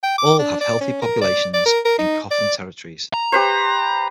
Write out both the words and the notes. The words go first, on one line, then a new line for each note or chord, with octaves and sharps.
All have healthy populations in Cofan territories.
G5
D6
D4
D5
C#4
A#4
D5
D5
A#4
A#4
D#4
D5
A#5
G4 B4 C5